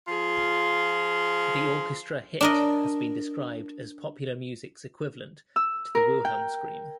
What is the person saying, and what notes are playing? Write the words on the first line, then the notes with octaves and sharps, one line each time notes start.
The orchestra hit has been described as popular music's equivalent to the Wilhelm scream.
F3 F4 G#4
D4 A#4 D#5
E6
A#4
G5